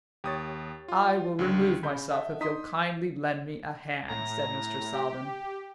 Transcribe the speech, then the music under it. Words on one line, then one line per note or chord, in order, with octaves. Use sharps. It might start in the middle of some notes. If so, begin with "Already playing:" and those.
"I will remove myself if you'll kindly lend me a hand," said Mr. Salvin.
D#2 G4 C#5 D#6 A6
F4
C#2 D3
C#3 B5 G6
A4 D#5 E5 F#5
D#4 C6 D#6 B6
A2 A#5
G4